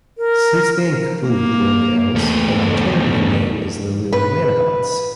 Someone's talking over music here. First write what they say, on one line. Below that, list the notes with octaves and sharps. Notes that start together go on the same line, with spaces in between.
Since they include Liliales, an alternative name is lilioid monocots.
A#4
A#3
E2 A3
B4